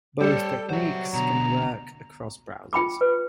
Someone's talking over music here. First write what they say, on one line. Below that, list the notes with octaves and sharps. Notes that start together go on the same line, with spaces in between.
Both techniques can work across browsers.
G3 G4 A4 C5 C#5
F#3 C5 E5
B2 D3 A#5
F4 G5 B5 D6
B4